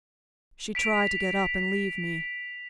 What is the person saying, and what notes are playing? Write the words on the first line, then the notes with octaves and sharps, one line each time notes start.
She tried to get up and leave me.
B6 D7 F7